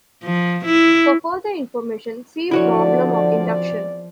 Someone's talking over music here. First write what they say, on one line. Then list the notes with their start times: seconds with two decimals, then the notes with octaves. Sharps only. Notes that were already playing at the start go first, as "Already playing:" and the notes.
For further information, see Problem of induction.
0.23 F3
0.65 E4
2.51 E2 D3 F3 C4 E4 F#4 C#5 D5